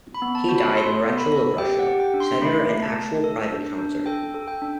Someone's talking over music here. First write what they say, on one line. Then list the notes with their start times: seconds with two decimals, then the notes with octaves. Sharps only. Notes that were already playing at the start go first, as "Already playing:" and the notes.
He died Marechal of Russia, senator and actual private counsellor.
0.15 B5
0.22 B3
0.35 A5
0.49 F#4
0.56 B5
0.76 A4 C6
1.04 B3
1.18 B5
1.31 A4
1.58 G4 G5
1.79 F#5
1.87 G4
2.00 G5
2.14 D4
2.20 C6
2.41 A3 B5
2.69 A3
2.83 A5
2.97 A3
3.24 A4
3.52 D4
3.79 D4
4.06 A4 G5
4.34 A4
4.48 G5
4.62 D4